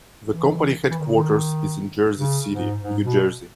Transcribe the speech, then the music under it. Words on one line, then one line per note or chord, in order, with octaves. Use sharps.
The company headquarters is in Jersey City, New Jersey.
E3
E3
D#3
C#3
D#3
C#3
G#2
G#2
B2